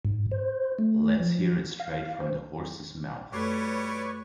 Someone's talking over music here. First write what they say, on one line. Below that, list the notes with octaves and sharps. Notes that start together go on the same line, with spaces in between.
Let's hear it straight from the horse's mouth.
G#2
C5
A3
F3
F5
C5
F#2 G3 A3 A4 B4 C#5 D5 C#6